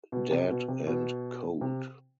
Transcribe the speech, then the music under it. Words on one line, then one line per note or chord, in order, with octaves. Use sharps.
Dead and cold.
B2
C3
B2
C3
B2
C3